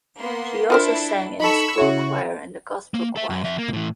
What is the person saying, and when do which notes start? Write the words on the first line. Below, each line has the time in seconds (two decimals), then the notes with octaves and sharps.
She also sang in a school choir and a gospel choir.
0.19 A#3 B3 C6
0.70 D4 E4 F4 A4 A#4 C5
1.40 D#4 A4 B5 C#6 E6
1.78 C#3 E4 F#4 C#5
2.94 A#3
3.16 A4 E5
3.30 F#2
3.44 F2 E5
3.58 A#3
3.73 A2 E3